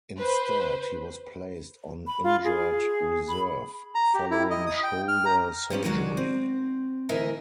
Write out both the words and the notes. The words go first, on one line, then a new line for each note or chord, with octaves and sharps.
Instead, he was placed on injured reserve following shoulder surgery.
B4 C5
B5
F4
G#4
B5
A#5
G4
E4
D#5
D#6
G5
F6
A#5
G2 F3 G3 C#4
D#3 F#3 G#3 D4 F#4 D5
C4
D2 E3 A#4 D#5 E5 G#5